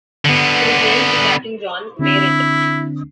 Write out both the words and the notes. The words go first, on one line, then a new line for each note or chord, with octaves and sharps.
She was named for Captain John Mayrant.
D3 B3
D3 C4 D4 E4